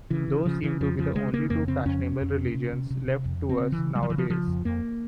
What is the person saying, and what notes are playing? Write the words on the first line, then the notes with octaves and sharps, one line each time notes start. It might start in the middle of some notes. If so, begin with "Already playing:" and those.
Those seem to be the only two fashionable religions left to us nowadays.
C#3 E3
C#3
C#3 F3
C#3 E3
F2 F3
C#3 F3
C#3 G#3
C#3 A#3
F2 A#3
C#3 C4
F2 C#4
C3
F2
C3
C3
C3
C3
C3
F2
C#3
C4
C#3
E3
C#3
C#3 G3
F3
C#3 E3
F3
C#3 F3
F2
F2 A#3